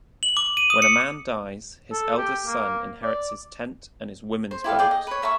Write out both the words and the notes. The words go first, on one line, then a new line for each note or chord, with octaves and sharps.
When a man dies, his eldest son inherits his tent and his women's-boat.
F#7
D6
D#7
D#6
C#7
A4
G4
A#3
D5
C5
E4 G4 A4 F5
G#4 D5 G5
D#5
B4 C#5
A#4 E5 A5 C#6